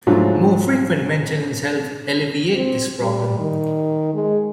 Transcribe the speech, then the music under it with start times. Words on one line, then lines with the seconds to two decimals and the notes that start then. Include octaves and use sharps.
More frequent maintenance helped alleviate this problem.
0.07 G#2 F3 F#3 A3 D4 F4
2.54 C4
3.01 G3
3.40 D#3
4.15 G#3